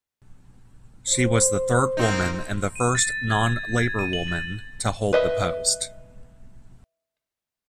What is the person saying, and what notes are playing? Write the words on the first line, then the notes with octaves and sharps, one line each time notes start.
She was the third woman, and the first non-Labor woman, to hold the post.
C5
A#3 C4 D#4
D#7
A6
G#6
G#6
D#7
F#7
A6
B4 D#5 E5